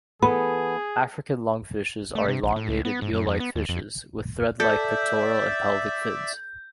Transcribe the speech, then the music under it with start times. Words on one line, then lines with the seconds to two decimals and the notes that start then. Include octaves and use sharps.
African lungfishes are elongated, eel-like fishes, with thread-like pectoral and pelvic fins.
0.22 E3 B3 G#4 A4 B5
2.15 A3
2.28 C3
2.43 A#1
2.56 A2
2.69 C#2
2.85 B3
3.02 G#2
3.13 F#2
3.27 F2
3.40 B3
3.56 D#2
3.69 F2
4.60 A4 D5 E5 G6